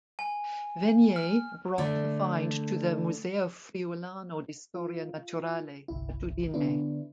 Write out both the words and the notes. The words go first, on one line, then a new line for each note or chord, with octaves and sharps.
Venier brought the find to the "Museo Friulano di Storia Naturale" at Udine.
G#5
F6
D3 A3
F4
G1 C2 E4
D3 B3 D4 E4